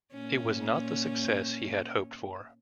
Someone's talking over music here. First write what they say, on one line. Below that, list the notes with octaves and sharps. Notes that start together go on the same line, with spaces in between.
It was not the success he had hoped for.
A#2 C#4